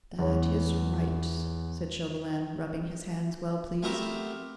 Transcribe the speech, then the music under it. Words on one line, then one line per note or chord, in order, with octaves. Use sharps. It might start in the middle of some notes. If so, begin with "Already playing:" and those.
"That is right," said Chauvelin, rubbing his hands, well pleased.
E2 C#5
A3 B3 C4 G4 A#4 E5